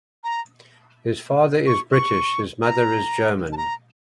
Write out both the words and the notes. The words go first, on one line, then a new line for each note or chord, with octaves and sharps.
His father is British, his mother is German.
A#5
C#6
C#6
A#5
A5
A#5